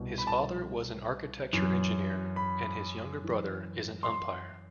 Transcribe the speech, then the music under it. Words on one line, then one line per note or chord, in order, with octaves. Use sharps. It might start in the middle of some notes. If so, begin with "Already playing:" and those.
His father was an architecture engineer and his younger brother is an umpire.
Already playing: C2 B2
B5
A5
F#2 E3
B5
F#2 E3
C6